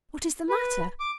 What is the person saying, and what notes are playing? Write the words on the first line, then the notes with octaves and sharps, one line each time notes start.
'What is the matter?
B4
D6